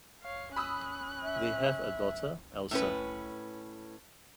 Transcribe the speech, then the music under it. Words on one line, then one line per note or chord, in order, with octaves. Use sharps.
They have a daughter, Elsa.
C#5 F5
C#4 B5 D#6 E6 F#6
E5
A2 C#4 B4